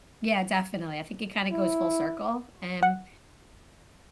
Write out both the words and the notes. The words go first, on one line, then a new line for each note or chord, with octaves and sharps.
Yeah, definitely, I think it kinda goes full circle, um,
E4
F#5